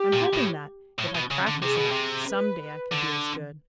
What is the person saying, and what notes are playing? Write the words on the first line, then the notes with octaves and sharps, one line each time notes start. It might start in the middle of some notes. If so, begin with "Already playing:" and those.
I'm hoping that, if I practice enough, some day I can be as good.
Already playing: G4
A#2
A2
A2
B2
C#3
D3
C3 G#4
B2
C3
B4
D3